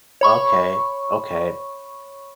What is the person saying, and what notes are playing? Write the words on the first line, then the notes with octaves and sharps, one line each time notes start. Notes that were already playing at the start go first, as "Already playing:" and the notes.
Okay. Okay.
C#5 B5 C#6